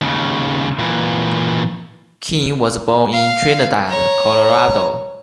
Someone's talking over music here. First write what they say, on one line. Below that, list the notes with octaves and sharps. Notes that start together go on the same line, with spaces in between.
King was born in Trinidad, Colorado.
D#2 C#3
A#2 E3
F5
C#5 A#5